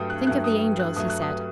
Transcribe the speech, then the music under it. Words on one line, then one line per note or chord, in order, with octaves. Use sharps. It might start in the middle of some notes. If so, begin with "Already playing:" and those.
"Think of the angels," he said.
Already playing: G2 F#3 A3 G5 D#6
F#6
G2 F#3 A3 F#6
D#6
F#6
G2 F#3 A3 D#6
F#6
D#6